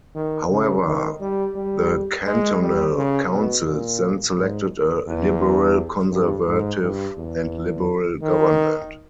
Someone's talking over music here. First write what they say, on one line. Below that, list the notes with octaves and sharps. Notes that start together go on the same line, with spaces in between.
However, the cantonal councils then selected a liberal-conservative and liberal government.
D#3
C#3
D#3
G3
G3
G#3
G3
C#3
B2
A#2
G#2
E2
G2
G#2
G2
E2
D#3